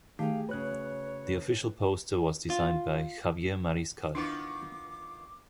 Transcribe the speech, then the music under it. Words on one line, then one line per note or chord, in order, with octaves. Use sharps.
The official poster was designed by Javier Mariscal.
D#3 A3 G4 G#4 F5 G5
C#3 F#4 B4 C#5 F#6
F4
D#3 B3 D4 E4 F4 D6